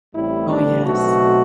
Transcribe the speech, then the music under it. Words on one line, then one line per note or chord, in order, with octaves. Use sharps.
Oh, yes.
A1 A2 G3 C4 E4
D4
B1 B2 A3 C4 F#4